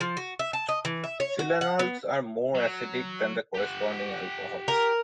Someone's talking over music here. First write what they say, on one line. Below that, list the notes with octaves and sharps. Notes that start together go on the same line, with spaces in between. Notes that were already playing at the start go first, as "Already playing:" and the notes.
Silanols are more acidic than the corresponding alcohols.
F3
F#4
E5
A5
D#5
E3
E5
C#5
F#4
F#5
B3
F#3
G4 F#5
A#4